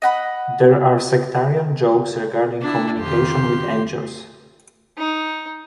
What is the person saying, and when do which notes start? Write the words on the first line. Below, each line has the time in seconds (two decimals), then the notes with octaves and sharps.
There are sectarian jokes regarding communication with angels.
0.02 D#5 F#5 B5
2.61 D4 E4
2.98 F2 D#3 G4 C6
4.98 D#4